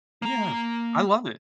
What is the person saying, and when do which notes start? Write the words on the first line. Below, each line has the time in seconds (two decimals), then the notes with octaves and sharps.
Yeah, I love it.
0.22 A#3 A#5